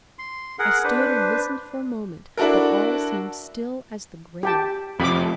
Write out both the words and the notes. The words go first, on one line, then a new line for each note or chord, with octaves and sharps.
I stood and listened for a moment, but all seemed still as the grave.
C6
G#4 A#4 F#5
D4 B4 C5
D4 E4 F#4 A4 A#4
G4 G5 A5
F2 C3 B5 D6